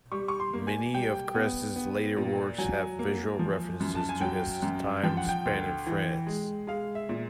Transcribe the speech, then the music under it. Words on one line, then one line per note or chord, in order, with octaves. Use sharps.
Many of Cress's later works have visual references to his time spent in France.
G3 C#6
C#6
C6
A#3
G#5
G3 G5
B3
B3
A#2
F#3 G#5
A#3
F3
F#2
A5
G#5
F#3 G5
F#2
F3 G5
F#5
G5
D2
E3
G#3
G#3 F5
E5
A#2